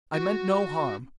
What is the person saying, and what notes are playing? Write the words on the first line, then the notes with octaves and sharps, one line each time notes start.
I meant no harm.
F#4